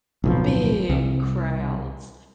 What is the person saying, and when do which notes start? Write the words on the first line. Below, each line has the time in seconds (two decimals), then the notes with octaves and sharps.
big crowds.
0.24 D1 B1 F3
0.89 C2